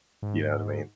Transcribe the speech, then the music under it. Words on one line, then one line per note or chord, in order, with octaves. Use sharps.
You know what I mean?
G#2